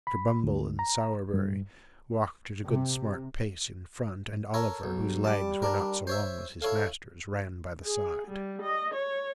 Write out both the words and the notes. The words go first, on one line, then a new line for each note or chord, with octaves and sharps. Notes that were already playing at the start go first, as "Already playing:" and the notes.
Mr. Bumble and Sowerberry walked at a good smart pace in front; and Oliver, whose legs were not so long as his master's, ran by the side.
B5
D2
A#5
G2
C3
A4 A#4 C#5
B1
G3 A5 D6
D4 A#4
C5 C#5 E5
E4 A4 C#5 F5
G#4
G3
D#5
C#5